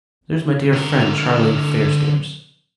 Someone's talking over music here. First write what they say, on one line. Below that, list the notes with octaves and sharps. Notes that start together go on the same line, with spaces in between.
There's my dear friend Charlie Fairstairs.
D3 A#4